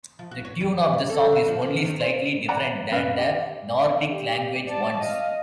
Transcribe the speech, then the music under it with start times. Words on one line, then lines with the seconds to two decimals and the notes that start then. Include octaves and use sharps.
The tune of the song is only slightly different than the Nordic language ones.
0.19 F3
0.31 F#4
0.45 C#5
0.61 G3
0.78 F#2
0.93 G3
1.10 A4
1.32 D3
1.48 F3
1.62 A#3
1.85 D#3
2.00 C5
2.48 D5 F#5 G#5 A#5 B5
2.92 F#2 B4 F5
3.18 G4
4.09 G4
4.68 D5 A5
5.01 D#5 F5